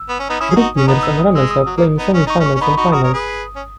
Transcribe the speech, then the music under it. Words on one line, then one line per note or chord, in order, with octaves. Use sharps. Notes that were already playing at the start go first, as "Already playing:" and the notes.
Group winners and runners-up play in semi-finals and finals.
Already playing: E6
B3
C#4
B3 D#4
C#4 E4 D#6
G#4
D#4 F#4
C#4
B3 D#4
E6
D#6
G#3 E6
D#6
F#3
A#3
B3 D#4
C#4
D#4 C#6
C#4
C#6
C#4
B3 D#4 B5
D#4 F#4 C#6
F#4 A#4 D#6
A#4 C#5
G#4 B4
C#4